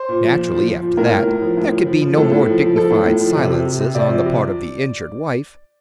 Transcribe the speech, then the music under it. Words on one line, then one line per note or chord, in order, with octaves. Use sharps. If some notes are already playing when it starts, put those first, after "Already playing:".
Naturally, after that, there could be no more dignified silences on the part of the injured wife.
Already playing: C5
A#2
F3
A#2
F3
F3
A#2
A2 A#4
A2
A2
F3
A2
F3
F3
F3
A2 A4
A2
F3
F3
F3 A4
A2
A2
F3
C3
C3
C3
C3
C3 D5
F3
C3